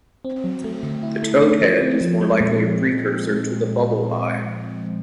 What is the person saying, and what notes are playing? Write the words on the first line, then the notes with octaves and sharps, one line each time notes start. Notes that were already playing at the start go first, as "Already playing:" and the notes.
The toadhead is more likely a precursor to the Bubble eye.
C4
F#3
A3
D3
E4
A3
C#4
F3
C4
F3
G#3
A#2